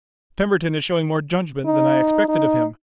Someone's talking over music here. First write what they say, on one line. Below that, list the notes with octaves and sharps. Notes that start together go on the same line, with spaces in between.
Pemberton is showing more judgment than I expected of him.
D#4
D#4